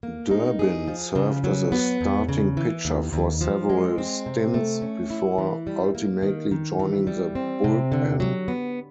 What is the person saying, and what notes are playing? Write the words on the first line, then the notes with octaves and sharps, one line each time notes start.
Durbin served as a starting pitcher for several stints, before ultimately joining the bullpen.
A#3
D#4
G#4
F3
C#3
F#3
B3
E2
C#3
E3
D#2
D#2
F3
G#3
C4
C3
A3
C#4
E4
E3
G3
A#3
D#3
D#3
E3
G3
C4
C3
D3
F#3
B3